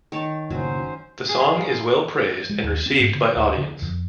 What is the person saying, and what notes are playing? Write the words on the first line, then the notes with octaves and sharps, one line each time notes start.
The song is well praised and received by audience.
D#3 C#5 A5
F#1 A2 F#3 C#4 C5
G#4
G#4
A#3
F4
G#3
D#2
C4
G#2
D3
D2
D3
F2